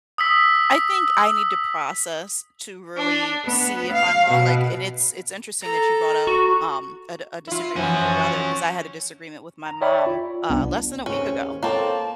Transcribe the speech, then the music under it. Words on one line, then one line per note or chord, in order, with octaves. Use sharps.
I think I need to process to really see if I'm wrong, like and it's it's interesting that you brought up, um, a d a disagreement with your brother, 'cause I had a disagreement with my mom, uh, less than a week ago.
D#6 E6 B6
D4
B3
F5
B2
A4 A#5
F#4
E4 F4
E3 F3 C#4 F#4
A#5
C#5 D5 E5 G5 B5 C#6
F4
C2 B3 D4
D#2 C#3 C4 C#4
A#3 C4 A4 C5 C#5 A5